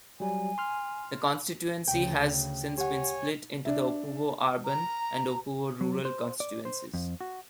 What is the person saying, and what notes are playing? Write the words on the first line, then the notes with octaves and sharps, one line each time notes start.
The constituency has since been split into the Opuwo Urban and Opuwo Rural constituencies.
F#3 G3 G#5
C6 F6
D2 C#3 G5
G4 C#5 F#5 G#5
D4 E5
A#5
F#3
C5
D5
C5
F2
F#4